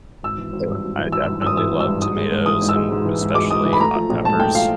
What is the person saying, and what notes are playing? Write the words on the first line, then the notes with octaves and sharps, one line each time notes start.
Uh, I definitely love tomatoes and especially hot peppers.
G#1 E6
E3
G#1
G2
G#1
E3
G#1 E6
G2 E6
G#1 D#6 E6
E3 E6
G#1
E6
G2
G#2 D#6
G#3
G#2
E3 D#6
G#2
E6
G#3
G#2
E3
G#2
G#3 D6
G#2 D#6
E3
B5
A3 A#5
F3
A#1
G#2 A5
A3 G5
F3 F5